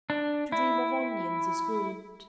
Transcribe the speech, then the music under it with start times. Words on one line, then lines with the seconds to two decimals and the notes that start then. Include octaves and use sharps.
To dream of onions is good.
0.10 D4
0.52 E4